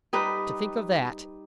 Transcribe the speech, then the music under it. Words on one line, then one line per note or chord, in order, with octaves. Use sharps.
'To think of that!
G3 D#4 B4